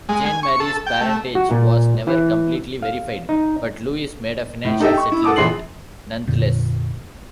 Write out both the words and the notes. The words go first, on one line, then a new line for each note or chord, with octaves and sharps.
Jeanne Marie's parentage was never completely verified, but Louis made a financial settlement nonetheless.
G#3
G#5
C#6
A4
G5
A3
F#4
A#2
E3
F5
D#4
A2
D#4 G4 A4 D#5 E5 G5
C#6
E4
A4 F#5 A5 D6 D#6
A#1 E3 G#4 C6 C7 F#7
F2 A#2 D3